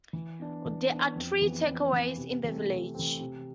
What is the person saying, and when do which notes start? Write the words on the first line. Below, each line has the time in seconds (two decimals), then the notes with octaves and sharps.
There are three takeaways in the village.
0.13 E3
0.39 B3 D4
0.65 E3
0.90 B3 D4
1.16 F2
1.42 E3 B3
1.67 F2
1.93 E3 B3
2.17 C3
2.44 E3 A3 C4
2.69 C3
2.95 E3 A3 C4
3.20 C3